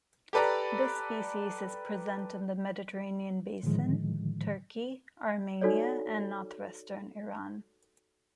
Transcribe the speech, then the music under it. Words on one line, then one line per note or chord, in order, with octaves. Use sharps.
This species is present in the Mediterranean Basin, Turkey, Armenia and northwestern Iran.
G4 A4 B4 D5 A#5
A2 D3 D#3 F3 G#3
D#4 F#4 A4 C#5 D5